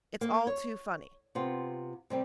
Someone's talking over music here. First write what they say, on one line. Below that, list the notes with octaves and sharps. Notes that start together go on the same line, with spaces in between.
It's all too funny.
A#3
C#5
C3 B3 F4
C3 G3 C4